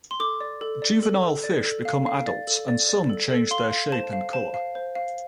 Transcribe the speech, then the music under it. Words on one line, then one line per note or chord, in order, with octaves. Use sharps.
Juvenile fish become adults and some change their shape and colour.
C6
A4 D6
D5
A4
D5
A4
A4
D5
A4
F5
F5
D5
A4
D5
D5
A4
A4
F5 C6
F5
C5 A5
F5
C5 A5
F5
C5
F5